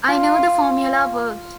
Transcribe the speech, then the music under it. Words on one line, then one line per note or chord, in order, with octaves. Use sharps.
I knew the formula worked.
F4